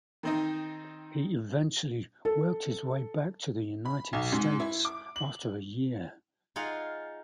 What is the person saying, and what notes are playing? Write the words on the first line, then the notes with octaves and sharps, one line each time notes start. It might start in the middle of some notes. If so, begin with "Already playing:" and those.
He eventually worked his way back to the United States after a year.
D#3 C4 D#4
A4
B5
B1
G#2
E4
D6
F#7
D#4 F4 G#4 F5 F#5